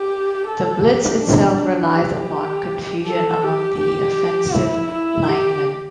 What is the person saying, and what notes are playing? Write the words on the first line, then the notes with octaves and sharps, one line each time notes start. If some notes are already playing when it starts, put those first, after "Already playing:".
The blitz itself relies upon confusion among the offensive linemen.
Already playing: G4
A4
G4
D4
G4
A4
G4
G4
E4
E4
G4